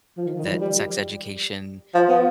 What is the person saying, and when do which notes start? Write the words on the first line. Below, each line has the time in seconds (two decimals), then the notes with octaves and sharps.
that sex education
0.17 F3
0.27 D#3
0.38 D#3
0.45 G3
0.50 F3
0.61 G3
1.94 F3
2.09 B3